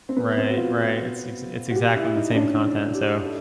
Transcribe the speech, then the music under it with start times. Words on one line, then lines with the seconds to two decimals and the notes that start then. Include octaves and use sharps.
Right, right. It's ex it's exactly the same content. So,
0.09 C4
0.17 B3
0.37 C4
0.49 F#4
0.57 F4
0.77 F#4
1.71 F#4
1.76 G4
1.96 E4
2.16 D#4
2.31 C#4
2.35 D4
2.94 G4
3.25 A4